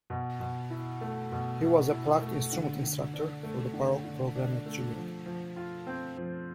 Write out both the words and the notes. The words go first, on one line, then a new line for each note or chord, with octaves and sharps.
He was a plucked instrument instructor for the Baroque program at Juilliard.
B2
B2
E4
A3
B2
B2
E4
A3
D3
D3
D4
A3
D3
D3
D4
A3
F3
F3
F4
C4
F3